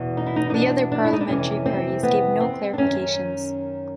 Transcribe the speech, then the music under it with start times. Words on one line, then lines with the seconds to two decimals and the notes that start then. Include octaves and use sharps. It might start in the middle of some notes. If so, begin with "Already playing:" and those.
The other parliamentary parties gave no clarifications.
Already playing: E2 B2
0.17 D#4
0.26 E4
0.36 D#4
0.50 D#4
0.54 D4
0.92 D4
1.05 E4
1.13 D#4
1.21 D4
1.29 F2 C3 E3 C#4
1.66 C4
2.03 B3
2.40 C4
2.73 D4
2.78 F#2 D#3 C#4